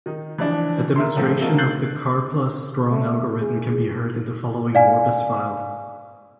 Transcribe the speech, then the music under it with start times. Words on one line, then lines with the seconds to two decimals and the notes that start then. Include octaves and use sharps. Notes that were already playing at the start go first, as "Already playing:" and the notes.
A demonstration of the Karplus-Strong algorithm can be heard in the following Vorbis file.
0.06 D#3 D#4
0.38 E3 F3 D4
0.96 A#4 E5 C6
1.17 A2 F3 A3 C4
1.41 G#3 A#3 F#4 A4
1.58 F#6 G6 A6 C7 F#7
2.91 A3
3.41 G#4
4.75 D5 F5 G#5